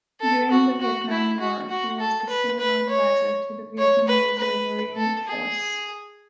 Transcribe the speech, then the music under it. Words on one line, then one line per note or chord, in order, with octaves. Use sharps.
During the Vietnam War he was the senior adviser to the Vietnamese Riverine Force.
A4
F#4
F#4
E4
F#4
F#4
A4
B4
B4
C#5
C#5
B4
B4
A4
G#4